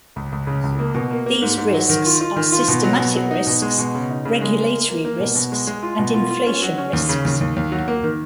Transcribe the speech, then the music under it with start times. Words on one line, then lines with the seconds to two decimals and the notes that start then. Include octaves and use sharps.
These risks are systematic risks, regulatory risks and inflation risks.
0.16 C#2
0.32 C#2
0.47 C#3
0.63 C#2
0.79 A#3
0.95 B2
1.10 A#3
1.26 A#3
1.42 G#2
1.57 G#2
1.74 F#3
1.90 D#3
2.05 F4
2.21 F4
2.36 D#3
2.52 F4
2.68 B2
2.83 F#3
2.99 B2
3.16 F#3
3.31 D#4
3.47 B2
3.62 G#3
3.78 B2
3.95 C#3
4.10 D#4
4.25 C#3
4.41 G#3
4.57 A#3
4.73 A#3
4.88 A#3
5.05 A#3
5.20 B2
5.35 B2
5.52 G#3
5.67 G#3
5.83 F4
5.99 B2
6.14 F4
6.31 F4
6.47 C#4
6.62 F#3
6.78 C#4
6.93 D#2
7.09 C#3
7.25 D#2
7.41 D#2
7.56 D#2
7.72 F#3
7.88 A#3
8.04 D#3